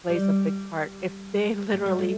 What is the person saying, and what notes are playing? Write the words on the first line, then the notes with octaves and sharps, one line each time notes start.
plays a big part if they literally,
G3
A3
G3
A3